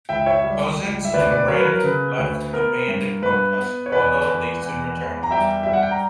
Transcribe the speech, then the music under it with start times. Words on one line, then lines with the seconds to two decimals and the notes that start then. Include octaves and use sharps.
Couzens and Wren left the band in protest, although they soon returned.
0.09 C#2 E5 G5
0.26 C#5 E5
0.44 G3
0.78 C#2
1.05 E5
1.14 D2 B4 D5
1.31 B4 D5
1.48 F#3 A#4 C#5
1.58 B4
1.65 A#4
1.84 C#3 B4
2.18 D2
2.53 B3 A#4
2.88 G2
3.22 G2 B4
3.57 B3
3.86 C#5
3.92 E2 B4 D5
4.27 E2
4.62 E2
4.97 E2
5.23 A#5
5.31 G3 E5 G5
5.63 G3 E5
5.73 F#5
5.83 G5
5.91 A#5